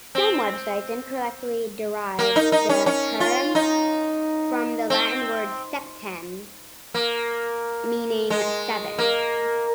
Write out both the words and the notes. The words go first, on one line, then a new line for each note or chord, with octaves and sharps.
Some websites incorrectly derive the term from the Latin word "septem", meaning "seven".
C4
A#3
D#4
D#4
C#4
C#4
F4
D#4
C4
A#3
G#3
A#3